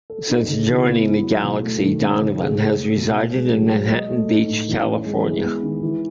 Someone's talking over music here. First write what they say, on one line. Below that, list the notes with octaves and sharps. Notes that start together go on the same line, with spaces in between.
Since joining the Galaxy Donovan has resided in Manhattan Beach, California.
A4
D#4
C#3
E3
B3
E4
F#3
B2
A3
D#3
C#4
C#3
G#4
G#3
A3
B2
G#3
G#3
F#3
F#3
D#5
A3
D#4
A2
E3
C#4
G#3
E3
B3
D#3
E3